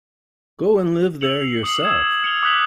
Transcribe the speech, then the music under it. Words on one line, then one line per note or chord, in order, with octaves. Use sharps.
Go and live there yourself.
E6 C#7 F7 F#7
C7
D6 D#6 C#7 F#7
E6 G#6 E7
F6 C#7 F7 G7
D6 D#6 F#6 B6 F#7 G7